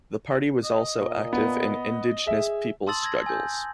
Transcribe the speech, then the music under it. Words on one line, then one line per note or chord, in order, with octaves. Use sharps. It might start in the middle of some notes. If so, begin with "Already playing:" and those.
The party was also active in indigenous people's struggles.
D#5
A#2
B3
G#4 E5
A5 C6 D#6 E6 A6 F#7
E6 G#6 A#6
G#5 E6 G6